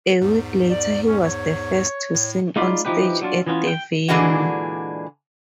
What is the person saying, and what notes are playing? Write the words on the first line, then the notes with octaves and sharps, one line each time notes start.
A week later he was the first to sing on stage at the venue.
E2 G#2
D5
C#4
C#5
A2
G#3 D#4 F4 D5 F5 B5
E3 F3 D#4 G4 B4
F#3 D4 F4
E3 B3 C#4 F4
G5
A#2 D3 E3 G#3 D4 F#4